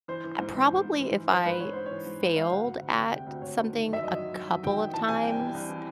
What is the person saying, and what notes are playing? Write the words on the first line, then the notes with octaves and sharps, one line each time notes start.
I probably, if I failed at something a couple of times,
E3 C5
E3
G#2
E3
E3
G#2
E3
E3
E3 C5
G#2 B4
G#2 C#5
G#2 C5
C#5
E3
G#2
E3
G#2 F5
D2 F#5
D2
D2
C3
C3 G5
D2
D2 C#5
D2
D#3
F#2
E5
F#2 D#5
F#3
F#3
F#3
D#3 G5
F#3
E3 A5
C3 G#5
C2 G5
E3
C2
E3